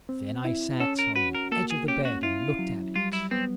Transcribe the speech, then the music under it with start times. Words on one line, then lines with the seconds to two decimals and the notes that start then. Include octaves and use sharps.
Then I sat on the edge of the bed and looked at it.
0.09 C4
0.45 E4
0.80 C#4 A4
0.99 A#4
1.16 F#4 B4
1.35 A#4
1.52 A#3 A4
1.70 G#4
1.88 C#4 G4
2.05 F#4
2.23 E4 F4
2.59 F#3
2.96 G3 F4
3.13 E4
3.31 B3 C4